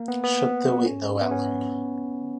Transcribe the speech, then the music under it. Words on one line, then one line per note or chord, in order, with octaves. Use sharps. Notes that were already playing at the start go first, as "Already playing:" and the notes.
Shut the window, Ellen!
Already playing: A#3
B3
B3
C#4
B3
C#4